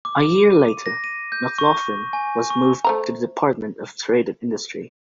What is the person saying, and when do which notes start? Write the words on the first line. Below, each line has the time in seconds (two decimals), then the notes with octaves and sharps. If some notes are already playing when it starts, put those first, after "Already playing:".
A year later, McLoughlin was moved to the Department of Trade and Industry.
0.05 D6
0.38 D#7
0.86 A#6
1.04 D#7
1.32 G6
1.58 C#6
2.13 G#5
2.50 C#6
2.84 A3 C5 A#5